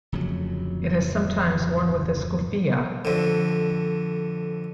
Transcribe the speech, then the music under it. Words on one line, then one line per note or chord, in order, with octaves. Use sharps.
It is sometimes worn with a skufia.
D1 F2 C#3 F#3
F2 D3